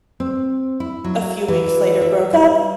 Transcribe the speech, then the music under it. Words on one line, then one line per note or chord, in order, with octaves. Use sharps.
a few weeks later broke up.
C4
E4
F#3
E3
E5
G3